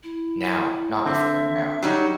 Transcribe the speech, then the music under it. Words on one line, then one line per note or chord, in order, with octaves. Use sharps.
Now. Not before, but now.
E4
D3 C4 E5
F#3 G3 D#4